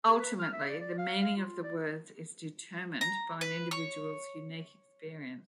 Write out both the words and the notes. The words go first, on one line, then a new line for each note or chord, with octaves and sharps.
Ultimately, the meaning of the words is determined by an individuals unique experience.
G#4
B4
F6
E5
D5
D5
F5
F5
F4
D5
A#5
B4
C#5